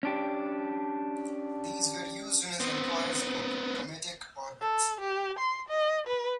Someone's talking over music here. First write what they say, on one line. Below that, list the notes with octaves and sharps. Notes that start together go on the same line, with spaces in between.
These were used in his employer's book "Cometic Orbits".
C#4 D4 G4
B3 C4
A4
G4
C6
D#5
B4